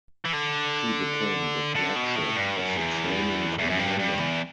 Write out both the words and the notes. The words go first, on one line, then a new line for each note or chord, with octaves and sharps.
She became the Flagship of the Training Commander.
E3
D3
D3
B2
A2
G2
F#2
E2
E2
F#2
G2
G2
E2